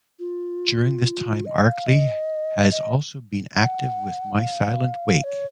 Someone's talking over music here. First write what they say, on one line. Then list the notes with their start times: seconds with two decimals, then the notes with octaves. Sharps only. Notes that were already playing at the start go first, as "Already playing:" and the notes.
During this time, Arkley has also been active with My Silent Wake.
0.20 F4
1.45 D#5
1.66 F5
1.87 D#5
2.72 D#5
3.56 F#5
4.40 F5
5.24 C#5